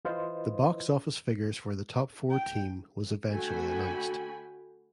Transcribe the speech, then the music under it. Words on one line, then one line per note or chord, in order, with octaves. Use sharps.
The box office figures for the top four team was eventually announced.
E3 E4 F4 B4 C5 D#5
G5
D3 A3 F#4 G5 G#5 B5